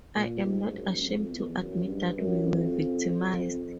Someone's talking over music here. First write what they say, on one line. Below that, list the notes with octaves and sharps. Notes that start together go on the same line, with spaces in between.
I am not ashamed to admit that we were victimized.
A#2
G#2
F#2
F2
E2
F#2
G2
F#2
F2
F2